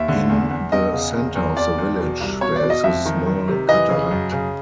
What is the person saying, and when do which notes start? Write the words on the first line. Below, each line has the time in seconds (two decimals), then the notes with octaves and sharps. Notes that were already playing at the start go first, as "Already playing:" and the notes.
In the center of the village there is a small cataract.
Already playing: D#2 E5
0.08 D3
0.29 E2
0.51 E2
0.72 E2 D#5
0.93 C#3
1.14 E2
1.35 E2
1.57 E2 D5
1.78 E2
1.99 B2
2.21 C2
2.41 B2 C#5
2.56 D5
2.63 B2
2.70 D#5
2.84 F2 E5
3.05 D#3
3.26 D#3
3.48 C3
3.69 E3 D#5
3.90 C#3
4.11 F#2
4.32 C#3